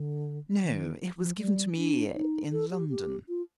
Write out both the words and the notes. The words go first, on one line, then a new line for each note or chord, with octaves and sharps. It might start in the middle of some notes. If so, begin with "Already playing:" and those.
"No, it was given to me in London."
Already playing: D3
D#3
F3
G3
D4
D#4
A4
G4
G4
F4